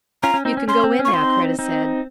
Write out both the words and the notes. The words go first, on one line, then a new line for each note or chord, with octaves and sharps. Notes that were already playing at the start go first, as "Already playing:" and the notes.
"You can go in now," Kreta said.
C#4 F4 A#5
C#4
C4 D#4
C#4
C#4 C6
C4
C#4
F4 C#6
C4 D#4 C6
C4 D#4